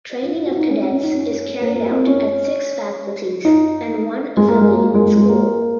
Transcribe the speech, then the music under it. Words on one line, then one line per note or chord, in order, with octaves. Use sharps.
Training of cadets is carried out at six faculties and one affiliated school.
F4
F4
F#4
D#4
C#4
C#4
C#4
D#4
C#4
A#3
A#3
C4
C#4
D#4
G#3
A#3
G#3
A#3
A#3
G#3
G#3
G#3
A#3